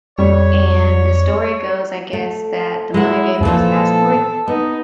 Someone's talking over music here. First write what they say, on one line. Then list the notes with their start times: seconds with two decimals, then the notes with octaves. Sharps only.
And the story goes, I guess, that the mother gave him his passport and
0.18 F2 G3 C#5
2.13 A3
2.94 G#3 E4 F#5
3.43 A#2 E3 F3 A4
4.48 B3 D#4